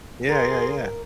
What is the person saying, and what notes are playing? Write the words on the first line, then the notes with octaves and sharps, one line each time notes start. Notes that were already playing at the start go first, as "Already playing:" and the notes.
Yeah, yeah, yeah.
G#4 A#4 C6